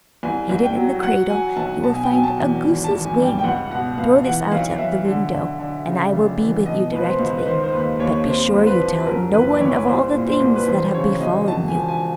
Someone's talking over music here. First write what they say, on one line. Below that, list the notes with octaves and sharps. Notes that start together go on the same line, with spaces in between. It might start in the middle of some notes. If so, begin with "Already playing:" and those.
Hidden in the cradle, you will find a goose's wing: throw this out of the window, and I will be with you directly; but be sure you tell no one of all the things that have befallen you.'
C2 G#5
C2
G5
F#3
F#3 F#5
F#3 G#5
B1 A5
B2 A5
G#5
G5
F#3 G#5
A5
E2
G#1
A5
G#1
G#5
G2
G5
G5
C#2 F#5
B2 F#5
C#2 F5
E3 F#5
B1 F5
B1 E5
D3
D3
D3
C#3
F1
E3
B2 D#5
C#2 B4
C5
C#2
B4
D#3 C5
C5
D#2 B4
D#2 C#5
C3 C5
C2
C5
B4
F3
F#2 A#4
F#1 B4
D5
F#1 C#5
C2 C5
A#2
C5
C2
B4
E1 C5
C5
C#3 C#5
E1 D#5
E1 A5
G#5
F3
G#5